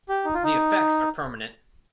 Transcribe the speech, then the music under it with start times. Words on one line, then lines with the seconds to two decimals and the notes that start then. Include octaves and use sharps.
The effects are permanent.
0.09 G4
0.25 D#4
0.34 F4
0.44 D#4